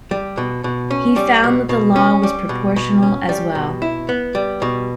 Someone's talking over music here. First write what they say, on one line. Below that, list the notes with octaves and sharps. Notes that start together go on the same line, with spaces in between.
He found that the law was proportional as well.
G3
B2
B2
C#4
G3
B2
B2
C#4
G3
B2
B2
C#4
G3
B2
E4
B3
G3
B2